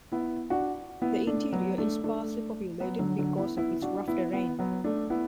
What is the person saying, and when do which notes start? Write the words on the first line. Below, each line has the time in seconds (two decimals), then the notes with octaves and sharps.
The interior is sparsely populated because of its rough terrain.
0.12 B3 E4
0.50 D4 F#4
1.02 B3 E4
1.27 A3 D4
1.52 F#3 B3
1.78 A3 D4
2.04 A3 D4
2.80 F#3 B3
2.99 D3 F#3
3.18 D3 F#3
3.38 B3 E4
3.57 B3 E4
3.82 D4 F#4
4.08 B3 E4
4.33 B3 E4
4.59 F#3 B3
4.84 A3 D4
5.10 B3 E4